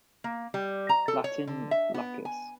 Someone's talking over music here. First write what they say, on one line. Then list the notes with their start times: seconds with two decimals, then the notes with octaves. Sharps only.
Latin "lacus".
0.24 A#3
0.54 G3
0.89 A#5
1.08 A4
1.24 C#5
1.47 D3
1.71 E5
1.94 B3
2.25 G#5